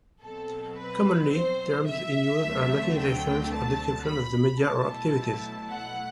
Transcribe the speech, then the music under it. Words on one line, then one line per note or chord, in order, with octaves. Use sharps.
Commonly terms in use are Latinisations or of descriptions of the media or activities.
B2 F#3 C4 A4
B4
C5
E5
D2 D3 F#3 A3 C4
G5
A5
B5
B2 F#3 A3 E4 A5
F#5